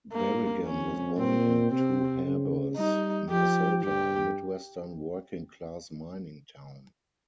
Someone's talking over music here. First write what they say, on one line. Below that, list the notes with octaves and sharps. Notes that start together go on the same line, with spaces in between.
Berrigan was born in Two Harbors, Minnesota, a Midwestern, working-class, mining town.
G2 A#3
F2 C#4
A#2 C4
C3 C4
C#3
G3 D#4
F3 G4
G2 G4